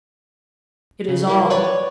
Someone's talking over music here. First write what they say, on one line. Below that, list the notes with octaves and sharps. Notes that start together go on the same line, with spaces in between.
It is all.
C#3
A#3 E4
B4 C#5 D5